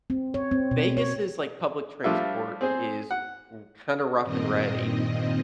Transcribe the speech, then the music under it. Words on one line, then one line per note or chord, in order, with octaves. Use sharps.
Vegas is like public transport is r kinda rough and ready,
C4
C#5
C4
B2
C#5
F3 G3 A3 D4 F4 E5
C4 G#4 C5
F#5
G2 A#2 D#3 C4 D#5